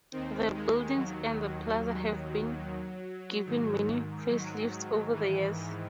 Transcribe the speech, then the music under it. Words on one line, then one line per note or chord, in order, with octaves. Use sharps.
The buildings and the plaza have been given many facelifts over the years.
D#2 D#3 C4
G#3
F#3
G#2 D#3
F#3
E3